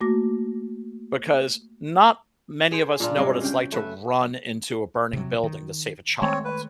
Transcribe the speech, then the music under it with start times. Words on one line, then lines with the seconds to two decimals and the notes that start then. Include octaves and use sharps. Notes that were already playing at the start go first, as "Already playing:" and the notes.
because not many of us know what it's like to run into a burning building to save a child.
0.01 A3 A#3 F#4 D6 A#6
2.71 G#4 C5
3.00 A#2 D4 F4
3.16 G2 C3 G#3
3.41 C#3 G5
3.72 A3 B4 E5
5.13 C3 F#3
5.43 D#3
6.22 D#3 G#3 A3 C4 C#5
6.45 B4